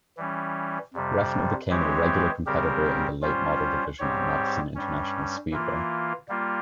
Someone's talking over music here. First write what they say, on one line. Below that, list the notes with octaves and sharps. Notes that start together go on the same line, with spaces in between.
Reffner became a regular competitor in the late model division at Madison International Speedway.
E3 G3 C#4
F2 C3 G3
E3 G#3 C4 G4 C#5
C#3 G3 C4 G4 A#4
G3 C#4 F4 C5
G#2 G3 C4 G4 C#5
G2 G3 C#4
E3 A#3 F4
G3 A#3 F4